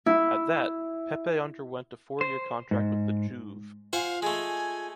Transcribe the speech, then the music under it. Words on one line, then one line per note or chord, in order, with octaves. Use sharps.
At that, Pepe underwrote a four-year contract with the “Juve”.
E4
C5
G#2
F4 C5 F5 F#5 G#5
G#3 A3 G#5